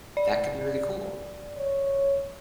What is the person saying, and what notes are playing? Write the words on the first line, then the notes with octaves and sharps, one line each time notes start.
that could be really cool.
D5
C#5